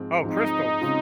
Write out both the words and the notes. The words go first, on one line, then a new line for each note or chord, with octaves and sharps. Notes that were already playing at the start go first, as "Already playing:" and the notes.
Oh, crystals.
Already playing: G#2 F3 C4
G#2 F3 C4 D#4
C#3 G#3 C4 F4